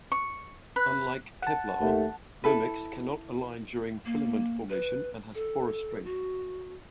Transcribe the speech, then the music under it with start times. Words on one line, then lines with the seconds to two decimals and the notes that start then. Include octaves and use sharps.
Unlike Kevlar, Nomex cannot align during filament formation and has poorer strength.
0.12 C#6
0.76 B4
1.42 F#5 A5
1.79 D#2 A3
2.44 E4 A4 B4
4.06 A#3
4.69 B4
5.35 A4
6.05 F#4